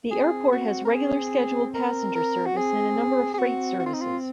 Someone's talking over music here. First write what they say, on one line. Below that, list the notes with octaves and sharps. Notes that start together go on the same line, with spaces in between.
The airport has regular scheduled passenger service and a number of freight services.
C4 G#4
F#4
A#4
G#4
A#4
A#4
F#4
C4 G#4
G#4
C4 F#4
F#4
F4
D#4
F4